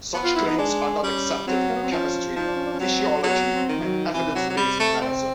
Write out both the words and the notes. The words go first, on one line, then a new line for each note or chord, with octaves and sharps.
Such claims are not accepted in chemistry, physiology, and evidence-based medicine.
B3
F4
E4
D#4
G#3 D4
G3 C#4
F#3 C4
A#3
B3
C4
F3 C#4
F3 D#4
D4
C#4
D4
C#4
F#3 C4
F#3 B3
C4
D#3
F3
F#3
C3 E3
F#3
F#3
G3
A3
C4